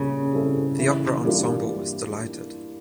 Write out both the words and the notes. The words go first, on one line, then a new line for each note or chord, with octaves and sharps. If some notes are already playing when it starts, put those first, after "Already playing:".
The opera ensemble was delighted.
Already playing: A#2 C#3 G3
G3 C4 E4 A4
E3
G3 A#3 D4 F4